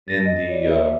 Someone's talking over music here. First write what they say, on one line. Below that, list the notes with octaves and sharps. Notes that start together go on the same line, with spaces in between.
in the, uh,
A6 A#6
D#5
F#4 C#5 D5
E5